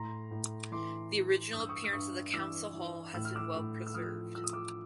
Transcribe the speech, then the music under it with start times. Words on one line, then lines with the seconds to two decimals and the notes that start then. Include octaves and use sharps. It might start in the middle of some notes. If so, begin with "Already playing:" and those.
The original appearance of the council hall has been well preserved.
Already playing: A2 A#5 C6
0.31 A2
0.71 E3 C6 D6
1.12 E3
1.52 G2 D#6
1.60 E6
1.69 C#6 D#6
1.84 E6
1.92 G2 C#6 D#6
2.33 E3 D6 E6
2.73 E3
3.14 A2 E6
3.25 F6
3.35 D6 E6
3.55 A2
3.87 E6
3.94 F3 D#6 F6
4.35 F3 E6
4.44 D#6
4.53 D6 E6